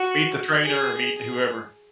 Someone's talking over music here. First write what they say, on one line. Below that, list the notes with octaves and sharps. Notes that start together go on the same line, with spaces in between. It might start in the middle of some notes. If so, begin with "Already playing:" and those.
Meet the trainer or meet whoever.
Already playing: F#4
G#4
G#4